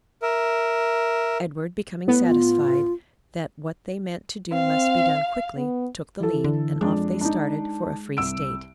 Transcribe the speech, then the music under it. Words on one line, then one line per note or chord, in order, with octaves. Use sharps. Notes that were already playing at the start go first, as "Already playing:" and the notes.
Edward, becoming satisfied that what they meant to do must be done quickly, took the lead, and off they started for a free State.
A#4 E5
A2 B3
F4
C4 F5
B3
E3 A4
D3
F2 G#3 D4
D4 D#4
C2 E6 D7